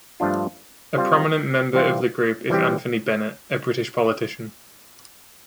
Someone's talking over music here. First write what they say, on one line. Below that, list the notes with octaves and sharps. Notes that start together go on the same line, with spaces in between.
A prominent member of the group is Anthony Bennett, a British politician.
G2 F3 A3 D4 F4
G3 C4 F4
C3 E3 G3 C4 F4
E3 G3 C4 G4